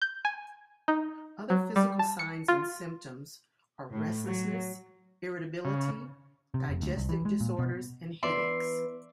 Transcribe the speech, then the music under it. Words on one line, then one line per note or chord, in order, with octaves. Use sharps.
Other physical signs and symptoms are restlessness, irritability, digestive disorders, and headaches.
G6
G#5
D#4
F#3
G3
A5
C#7
F4
A2
F#3
C#3
C3
F1
D2
C2
E3
G#3
A#2
B2
E3 B3 D4 D5 E5 C6